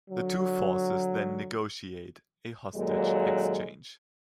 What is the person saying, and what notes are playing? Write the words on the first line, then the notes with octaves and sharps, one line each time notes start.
The two forces then negotiate a hostage exchange.
D3 F#3
D#2 A#2 F#3 G#3 A4